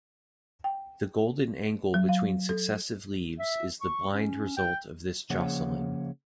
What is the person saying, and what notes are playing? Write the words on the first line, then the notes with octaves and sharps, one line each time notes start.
The golden angle between successive leaves is the blind result of this jostling.
G5
F#3
F5
A4
E5
C#6
C#4
G5
C#3 F3 A#3 G#4 C#5 F#5